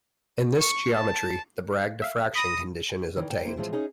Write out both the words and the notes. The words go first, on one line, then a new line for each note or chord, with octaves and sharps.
In this geometry the Bragg diffraction condition is obtained.
C#6
A5
E5 F5
B5 D#6 A#6
D#3 E3
G#2 G5
A#3 E4 C5
A2 E3 F3 G#3 C4 F4
C#4 D#4 G#4